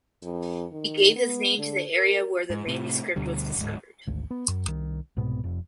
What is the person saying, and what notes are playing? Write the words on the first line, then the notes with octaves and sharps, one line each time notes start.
He gave his name to the area where the manuscript was discovered.
F2
D#3
B3
D3
A#4
G#2
A2 C3
D2 B2 D3 G3
D1 G#2
G#1 D2
B3
F#2
C2 D#3
C2 G#2 B2 B3
F1 F2